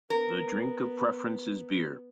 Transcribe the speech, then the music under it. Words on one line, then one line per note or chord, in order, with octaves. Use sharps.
The drink of preference is beer.
B3 A#4